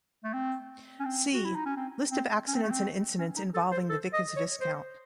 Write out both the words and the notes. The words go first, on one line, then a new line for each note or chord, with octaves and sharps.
See "List of accidents and incidents involving the Vickers Viscount".
A3
C4
C#4
C4
F#4
E4
D#4
C#4
C4
C4
C#4
C4
A3
C4
C#4
D#4
A4
C5
A4
D#5
C#5
C5